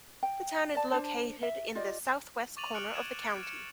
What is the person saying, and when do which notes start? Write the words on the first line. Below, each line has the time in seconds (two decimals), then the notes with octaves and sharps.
The town is located in the southwest corner of the county.
0.23 G5
0.75 D5 A5
0.92 D4 C5 A5
1.43 E5
1.75 F4 G4 D5 D#5
2.57 C#6 D6 A6 D#7 F7 F#7
2.74 F6 F#6 C#7 D7 F#7
2.94 F#6 G#6 E7
3.22 A6 C#7 D7
3.43 C#7 E7